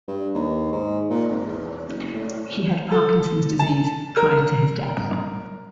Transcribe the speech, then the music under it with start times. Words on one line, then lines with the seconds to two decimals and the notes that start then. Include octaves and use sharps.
He had Parkinson's disease prior to his death.
0.08 G2
0.34 D#2
0.72 G#2
1.10 A#2
1.30 G#1
1.47 E2
1.88 F#1
2.14 A2
2.92 A4
3.59 A5
4.17 A#4